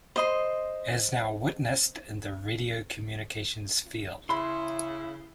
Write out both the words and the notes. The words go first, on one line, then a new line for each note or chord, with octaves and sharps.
As now witnessed in the "radio communications" field.
C5 D#5 C6
C#3 E4 B5 C6